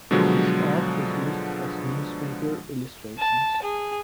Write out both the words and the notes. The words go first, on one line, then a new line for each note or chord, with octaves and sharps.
His art was used as newspaper illustrations.
B2 D3 F3 F#3 G#3
A5
G#4